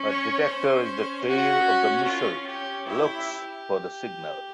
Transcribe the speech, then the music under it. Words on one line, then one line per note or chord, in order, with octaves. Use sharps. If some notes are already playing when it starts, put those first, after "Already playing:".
A detector in the tail of the missile looks for the signal.
Already playing: C#4
C#5
C#4 C5
F#4
F4
G4
E4 G4